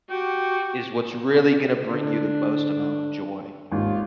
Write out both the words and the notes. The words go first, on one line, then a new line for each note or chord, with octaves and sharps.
is what's really gonna bring you the most amount of joy,
F#4 G4
D3 D4
G#1 D#2 F4